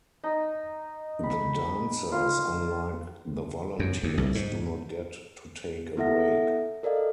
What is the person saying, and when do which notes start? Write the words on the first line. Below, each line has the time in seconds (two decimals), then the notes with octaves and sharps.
The dancers, unlike the volunteers, do not get to take a break.
0.23 D#4
1.23 B5
2.12 F4
3.79 F#2
4.03 D#2
4.18 C2
4.35 G#2
5.97 B3 E4 A4 E5 F#5 A#6
6.83 A4 A#4 D5 D#5 F5